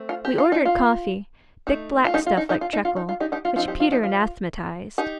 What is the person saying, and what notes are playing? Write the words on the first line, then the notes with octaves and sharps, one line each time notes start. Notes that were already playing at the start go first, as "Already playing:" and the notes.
We ordered coffee, thick black stuff like treacle, which Peter anathematized.
Already playing: A3 C4
F4
G4
F4
D#4
F4
A3 D#4
F4
D#4 G4
F4
D#4
D#4 G4
F4
D#4
F4
D#4
F4
D#4 G4
D#4 G4
F4
F3 C4 D#4 F4
D#4 G4
F4
D#4 G4
F4
D#4 G4